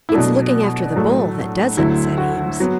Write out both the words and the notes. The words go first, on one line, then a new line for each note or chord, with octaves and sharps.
"It's looking after the bull that does it," said Eames.
E4
B2 F#3 A3 D4
A2 F#3 A3
D2 D3 F#3 E4
F#4
F#3 B3